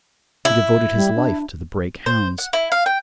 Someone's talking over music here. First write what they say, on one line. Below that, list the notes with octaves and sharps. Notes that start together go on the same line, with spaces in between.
He devoted his life to the Brake Hounds.
E4
G3
D4
C5
F#5
E4
F5
G5